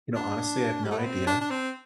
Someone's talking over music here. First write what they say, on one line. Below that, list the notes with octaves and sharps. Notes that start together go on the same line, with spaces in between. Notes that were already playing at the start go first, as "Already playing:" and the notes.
You know, honestly, I have no idea.
D4
G3
A3
B3
C4
D4
D4
C4